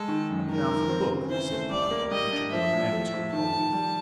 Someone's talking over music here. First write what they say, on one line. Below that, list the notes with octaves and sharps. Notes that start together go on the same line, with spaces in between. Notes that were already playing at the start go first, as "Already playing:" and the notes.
"And now for the book," said Piero, reaching down a manuscript volume.
Already playing: G#3 A4
D#3
F#2
D#3 A#4
D#3
C4
C#3
E3 C5
A3
G3 D5
A#3
G3 D#5
D4
F3 E5
A2
A3
F3
D#3 A5
D#3
G3